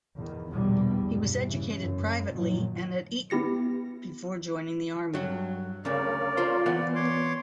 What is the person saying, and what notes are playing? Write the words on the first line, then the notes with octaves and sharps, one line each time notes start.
He was educated privately and at Eton before joining the army.
E2 D#3
A#1 E2 B2 D3 F3 G3
G2 G3
C#3 E3
F#2
A#2 D#3 F3 F#3
B3 E4 G4 A#6 C#7
G2 F#3
D2 C#3 A#4 C#5 D5 F5
F4 C5
E3 B3 F5 F#5
C#5 C6 D6